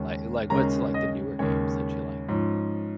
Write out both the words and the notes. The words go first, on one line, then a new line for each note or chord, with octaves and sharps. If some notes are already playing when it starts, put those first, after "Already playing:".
like like, what's, like, the newer games that you like?
Already playing: D#2 C#3 G#3 C#4
D#2 C#3 G#3 C#4 A#5
D#5
D#2 C#3 G#3 C#4 C#5
G#2 F3 C#4